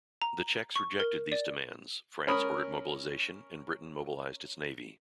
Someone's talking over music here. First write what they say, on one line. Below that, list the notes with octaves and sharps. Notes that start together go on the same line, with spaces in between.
The Czechs rejected these demands, France ordered mobilization and Britain mobilized its Navy.
A#5
C#6
A#4
D5
C#4 A#4 B5 D#6